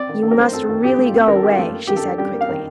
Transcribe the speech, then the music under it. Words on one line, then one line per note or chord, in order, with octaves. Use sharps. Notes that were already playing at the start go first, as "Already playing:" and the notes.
"You must really go away," she said quickly.
Already playing: C4 D5
D#3
D#3 A4
A#4
A3 C5
C4 A4
D#3 A4
D#3 G4
A3
F4
C4
D#3 A#4
A4
D#3 G4
F4
A3
A#3
D#3 G4
A4
D4
G3 G4
A#3
F5
D#3